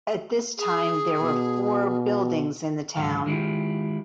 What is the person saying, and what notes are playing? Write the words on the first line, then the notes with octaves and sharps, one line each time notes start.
At this time there were four buildings in the town.
G#4
B2
C#2 G#2 D#3 F#3 A4 F5
D#3 G#3 E4 F4 G4